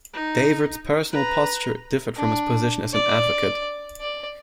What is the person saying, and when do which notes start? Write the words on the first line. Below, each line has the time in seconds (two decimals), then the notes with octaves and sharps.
Davis's personal posture differed from his position as an advocate.
0.14 D#4
1.12 B4 A#5
2.17 D4
2.93 D5
4.01 D5